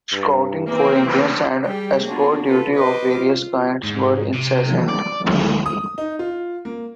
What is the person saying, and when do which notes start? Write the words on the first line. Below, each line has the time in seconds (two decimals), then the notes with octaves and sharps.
Scouting for Indians and escort duty of various kinds were incessant.
0.12 G2
0.67 E3 A#3 C4
1.03 E3
1.65 G3 G4 G#4
2.04 A#3 B3 D4 F4 F#4 G#4
2.42 F4 A4 B4
2.73 B4 C5 D#5 D6
3.15 F4
3.85 G#2
4.34 C3
4.89 D5
5.27 D2
5.66 D#6
5.98 D#4
6.19 F4
6.65 A#3